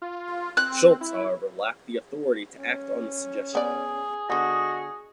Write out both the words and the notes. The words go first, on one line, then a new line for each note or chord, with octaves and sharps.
Shultz however lacked the authority to act on the suggestion.
F4
C4 F#6
E4
C#4
B3 G#4 D5
D3 B3 F#4 D#5